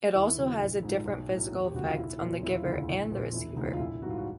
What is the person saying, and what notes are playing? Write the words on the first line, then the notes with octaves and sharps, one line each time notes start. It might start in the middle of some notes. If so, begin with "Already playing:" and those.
It also has a different physical effect on the giver and the receiver.
D#2 E4
C#3 F#3
A#1
G#2 F3 G#3
B1
A2 F#3
E1
G4
D2 C#3 F3 F#4
F4
B1 E4
A#2 F#3
E1 E4
F4
D2 C#3 E4
A#1
A#2 F3
E1 E4
D2 C3 F3 G#3 D#4
F4
A#1 E4
G#2 E3 G3 F#4
F4
F#4